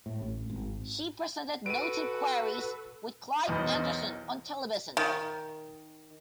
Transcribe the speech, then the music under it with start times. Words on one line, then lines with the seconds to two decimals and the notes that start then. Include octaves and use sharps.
She presented "Notes and Queries" with Clive Anderson on television.
0.06 A2
0.22 A1
0.50 G#1
1.66 F#4 A4 B4 D7 D#7
3.47 B1 E2 C5 C#5 D#5 B5
4.97 D#3